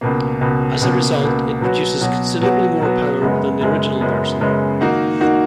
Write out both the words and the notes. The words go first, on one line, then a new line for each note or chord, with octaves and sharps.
As a result, it produces considerably more power than the original version.
C#2 B2 A#3
C#2 B2 A#3
C#2 B2 A#3
C#2 B2 A#3
B2 F#3 B3 F#4
B2 F#3 B3 F#4
B2 F#3 B3 F#4
B2 F#3 B3 F#4
F#2 C#3 G#3 B3
F#2 C#3 G#3 B3
F#2 C#3 G#3 B3
F#2 C#3 G#3 B3
D#3 A#3 D#4 F#4
D#3 A#3 D#4 F#4